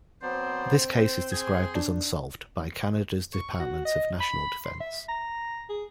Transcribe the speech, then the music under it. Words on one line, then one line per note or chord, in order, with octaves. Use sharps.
This case is described as "unsolved" by Canada's Department of National Defence.
F#3 B3 C4 C5 D5
C5 C6
G#4 G#6
D4
C#6
F#4
D#5
B5
C6
E5
A#5
G#4